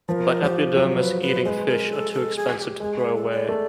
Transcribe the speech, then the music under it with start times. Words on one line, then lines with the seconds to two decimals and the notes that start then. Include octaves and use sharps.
But epidermis-eating fish are too expensive to throw away.
0.08 F3 A#4 B4
0.43 F3 G4
0.77 F#3
0.89 C5
0.99 B4
1.22 B4
1.45 G#3 B4 C5
1.68 A#4
1.91 A4
2.12 A4
2.36 G#4
2.59 G#4
2.62 G4
2.80 G#3 G#4
2.97 G#4
3.15 A4
3.31 D5
3.49 A3